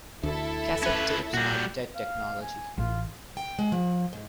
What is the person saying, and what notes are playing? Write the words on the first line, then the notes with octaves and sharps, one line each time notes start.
Cassette tapes are dead technology.
D2 E4 A4 E5
C#4 B4
A#2 G3 F#4
F5
G#5
A1 F4
G5
G#3
F3
G#2